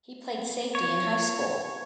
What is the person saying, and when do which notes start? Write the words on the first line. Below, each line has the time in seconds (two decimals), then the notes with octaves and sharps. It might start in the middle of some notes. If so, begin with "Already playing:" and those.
He played safety in high school.
0.75 C#5